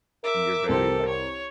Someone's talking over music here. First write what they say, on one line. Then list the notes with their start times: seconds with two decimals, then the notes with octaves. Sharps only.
And you're very like
0.24 A#4 E5 D6
0.69 C2 G4 A4 C5
1.08 C#5